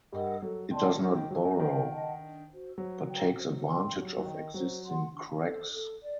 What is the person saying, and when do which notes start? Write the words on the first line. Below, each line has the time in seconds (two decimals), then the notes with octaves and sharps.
It does not burrow but takes advantage of existing cracks.
0.12 G2 G3 A#4 D#5 F#5
0.42 F#3 A4
0.71 D#3 D5 A5 C6
1.01 F#3 D#4
1.15 D#3
1.31 F#3 F#4 C5
1.45 F#3
1.59 D#3 C5
1.89 D#5 F#5 A5
2.19 D4
2.48 F#4 C5
2.77 F#3 C5
3.08 G5 A#5
3.36 C5
3.67 G5 C6
3.96 F#3 G4
4.18 F#3
4.25 D#3 A#4 D#5
4.54 F#3 C5
4.85 F#5 C6
5.14 D4
5.43 A4 C5
5.72 A4
6.02 D5